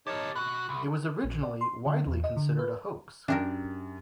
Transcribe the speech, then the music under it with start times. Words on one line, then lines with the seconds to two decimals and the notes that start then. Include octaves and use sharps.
It was originally widely considered a hoax.
0.07 D#4 G4 A#4 C#5 A5
0.35 B2 F#4 F#6
0.69 C2
1.24 A#1
1.43 D5
1.61 C6
1.86 D3
2.07 E2
2.24 D#5
2.37 D3
2.59 B4
3.28 F#2 D4 G4 A#4